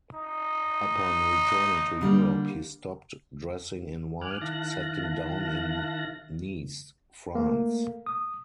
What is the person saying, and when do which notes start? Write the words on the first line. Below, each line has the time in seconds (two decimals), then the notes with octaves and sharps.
Upon returning to Europe he stopped dressing in white, settling down in Nice, France.
0.14 D#4
2.01 D3 G3 A#3
4.21 G#5 D6 F6 F#6
4.41 D#3 E4 F5 A5 F#6 A#6
7.35 A3 A#3
8.06 D#6